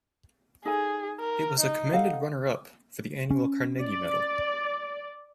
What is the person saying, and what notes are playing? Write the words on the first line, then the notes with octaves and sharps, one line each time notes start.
It was a commended runner-up for the annual Carnegie Medal.
D#4 G#4 A4 G#5
A#4
D#4
A4 F5 F#5
C#4
D5